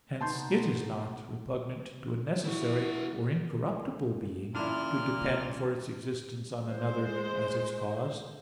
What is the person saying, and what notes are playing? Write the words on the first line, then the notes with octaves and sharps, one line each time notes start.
Hence it is not repugnant to a necessary or incorruptible being to depend for its existence on another as its cause.
B2 B3 D#4 A5 C6 G6
E4 F#4
A#2 C#3 D4 E4 F6
G#3 C5